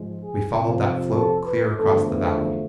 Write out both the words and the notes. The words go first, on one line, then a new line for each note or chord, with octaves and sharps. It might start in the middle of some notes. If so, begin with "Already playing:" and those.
We followed that "float" clear across the valley.
Already playing: G#2 F3 G#3
G#4
F2 C3 F3 F4
A4
B4
E2 D3 F3 A3 A4
B3